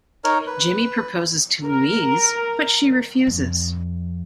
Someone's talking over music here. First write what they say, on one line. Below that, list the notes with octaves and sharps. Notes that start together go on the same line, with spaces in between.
Jimmy proposes to Louise but she refuses.
D#4 A#4 C#5
B4
A#4
F2